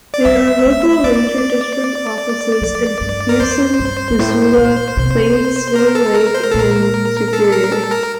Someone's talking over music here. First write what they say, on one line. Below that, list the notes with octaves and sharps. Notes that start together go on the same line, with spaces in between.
There are local ranger district offices in Huson, Missoula, Plains, Seeley Lake, and Superior.
D5
G3 E5
A3
A#3 D5
F3
G2
A#4
F2 C5
G2
G2
A2
A#2
C3
A#4
A4
A#4
C5
A#4
A#2 A4
A#4
A4
A#4
A4
A#4